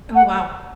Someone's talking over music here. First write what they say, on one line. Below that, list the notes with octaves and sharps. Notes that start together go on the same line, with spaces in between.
Oh, wow.
F#5